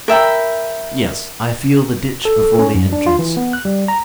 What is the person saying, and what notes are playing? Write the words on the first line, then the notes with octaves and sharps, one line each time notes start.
'Yes, I feel the ditch before the entrance.
A#4 E5 G5 B5
A4
C#4
F#2
D4
F4
E3
B3
F#6
G3
A#5